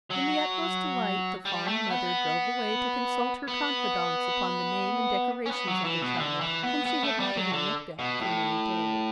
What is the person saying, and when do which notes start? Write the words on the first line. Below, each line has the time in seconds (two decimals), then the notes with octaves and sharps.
In the utmost delight the fond mother drove away to consult her confidants upon the name and decorations of the child, whom she had not even looked at for many days.
0.10 F#3
1.45 G3
1.68 A3
1.90 B3
3.48 B3
5.46 C#4
5.51 B3
5.67 F#3
5.85 E3
6.01 B2
6.18 D3
6.41 E3
6.63 B3
6.86 B3
7.03 A3
7.20 G3
7.37 F#3
7.53 D3
7.99 B2
8.21 A2